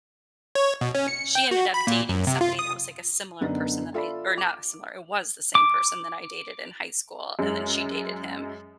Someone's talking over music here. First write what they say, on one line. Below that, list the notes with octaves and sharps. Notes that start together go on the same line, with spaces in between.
she ended up dating somebody that was, like, a similar person that I or not similar, it was the same person that I dated in high school, and then she dated him
C#5
B2
C#4
C#7
G5
F#4
B5
A#2
F#2
C3
F4
D#6
F#2 D3 B3 D4 D#4
F4 A4 D5 E5 B5
D6
D6
F#2 G#3